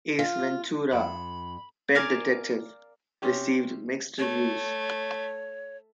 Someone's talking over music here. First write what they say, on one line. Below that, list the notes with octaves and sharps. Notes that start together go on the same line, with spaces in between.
"Ace Ventura: Pet Detective" received mixed reviews.
F4
F2 B5
A#4 D5 F5 G#5 A#5
C3 C#4 G4
A3 C#5